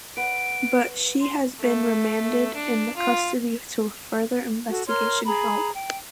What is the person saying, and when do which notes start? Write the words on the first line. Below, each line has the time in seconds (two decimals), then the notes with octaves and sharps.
But she has been remanded in the custody till further investigation held.
0.17 B4 F#5 D7
1.21 C6
1.61 A3
2.56 D4
2.96 F4
4.69 F#4 A4
4.88 A#4 C#5 C6 F6
5.25 G#4 A#5 B5
5.73 G5